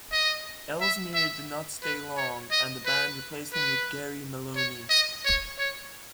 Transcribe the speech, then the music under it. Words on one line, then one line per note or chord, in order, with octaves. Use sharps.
Ellesmere did not stay long, and the band replaced him with Gary Maloney.
D#5
E5
E5
B4
C#5
D#5
B4
B4
C#5
D#5
C#5
C#5